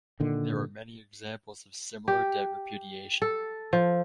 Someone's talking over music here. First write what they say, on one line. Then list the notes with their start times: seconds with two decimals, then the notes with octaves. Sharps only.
There are many examples of similar debt repudiation.
0.20 A#2 D3 D#3
2.08 G4
3.22 A4
3.73 F3